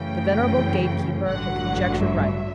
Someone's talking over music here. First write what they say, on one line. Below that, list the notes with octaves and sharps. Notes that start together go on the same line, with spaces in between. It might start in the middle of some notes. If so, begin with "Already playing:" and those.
The venerable gate-keeper had conjectured right.
Already playing: F#2 C#3 E3 A3 G5
A1 G2 D3 F#3 F#5
E5